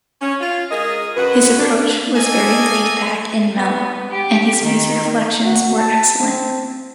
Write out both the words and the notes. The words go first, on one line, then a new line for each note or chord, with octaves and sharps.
His approach was very laid-back and mellow, and his music selections were excellent.
C#4
F4
G#3 G#4 A#4 D#5
F#2 F#4 B4
D4
A#3 A4 D#5 G#5
B3
G4
D#3
F#4
A5
C4